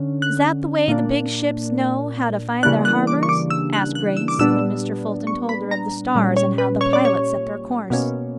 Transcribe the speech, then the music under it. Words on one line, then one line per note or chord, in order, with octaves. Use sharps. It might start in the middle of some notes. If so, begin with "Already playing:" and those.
"Is that the way the big ships know how to find their harbors?" asked Grace, when Mr. Fulton told her of the stars, and how the pilots set their course.
Already playing: D3 C#4
F#6
A#2 A#3 D4
C#3 E3 G3 A#3 D4 F#6
F#6
D6
C#6
D6
E6
F#6
F#6
E6
D6
A#2 G3 B3 D4 E6
C#6
B5
A#5
A#2 G3 C#4
C#5
B4
C#5
D5
C#5
B2 A#3 C#4